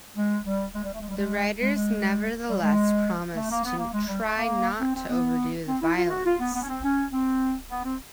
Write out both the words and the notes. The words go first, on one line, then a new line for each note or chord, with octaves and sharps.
The writers nevertheless promised to try not to overdo the violence.
G#3
G3
G#3
G3
A3
G#3
G3
G#3
G#3
G#3
G3
G#3
A3
A#3
B3
A#3
G#3
G3
A3
A#3
C4
C4
B3
C4
E4
F4
F#4
F4
B3
B3
C#4
C4
C#4
C4
B3
C4